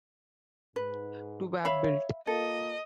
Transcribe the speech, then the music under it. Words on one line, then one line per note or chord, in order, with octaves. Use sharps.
Two were built.
G#2 B4
C#5 E5 F5 B5
A#3 F4 A4 D#5